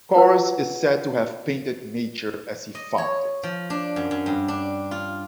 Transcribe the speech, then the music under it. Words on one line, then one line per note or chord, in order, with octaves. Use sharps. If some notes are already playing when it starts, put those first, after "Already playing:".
Choris is said to have painted nature as he found it.
F4 B4 F#5 E6
D#5
C#5
F3
D4
F#2
F#2
G2
D4
F4